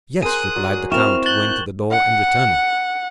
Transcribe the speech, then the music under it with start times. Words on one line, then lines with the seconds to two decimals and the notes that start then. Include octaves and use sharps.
"Yes," replied the count, going to the door, and returning.
0.22 G#4 A#4 C5 D#6 F#6 D#7
0.56 F#3 D5
0.92 C4 E4 A#4 F5 G5 C#6 F6 E7
1.26 F#6 G6 A6 F#7 G7
1.91 F#5